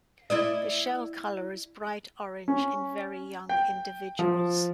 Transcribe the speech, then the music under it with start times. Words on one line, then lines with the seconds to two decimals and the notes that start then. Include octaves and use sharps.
The shell color is bright orange in very young individuals.
0.30 E4 D5 D#5
2.48 C#4
3.49 G5
4.19 F3